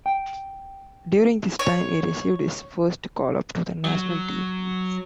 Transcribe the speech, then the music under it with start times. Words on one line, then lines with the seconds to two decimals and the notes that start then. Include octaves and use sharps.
During this time, he received his first callup to the national team.
0.06 G5
1.59 C#5
3.85 F#3